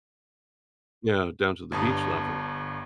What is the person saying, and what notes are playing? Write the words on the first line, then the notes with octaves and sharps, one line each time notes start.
you know, down to the beach level,
G1 G2 A5 A#5 D#6